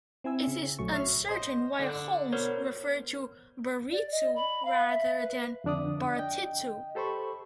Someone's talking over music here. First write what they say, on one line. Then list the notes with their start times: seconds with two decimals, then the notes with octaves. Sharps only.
It is uncertain why Holmes referred to "baritsu", rather than "Bartitsu".
0.24 C4 E4 G#5 E6
0.47 C#3
0.79 A#1 F#3 A3 C#6
0.92 C#5 E5 C#6 F6 C7
1.29 C5 D#5
1.79 D3 D4
2.32 B2 A#4 C5 C#5
3.91 D5
4.11 D#5
4.35 B5
4.65 F5
4.90 E5
5.19 B4
5.64 F2 D3 D4 D5 D#6
6.16 D#5 G5
6.95 G4 A4 C5 B5 C#6